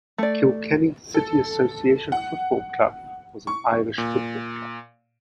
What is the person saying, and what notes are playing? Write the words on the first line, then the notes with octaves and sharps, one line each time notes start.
Kilkenny City Association Football Club was an Irish football club.
A3 D5
A4
F#5
C#6
A#2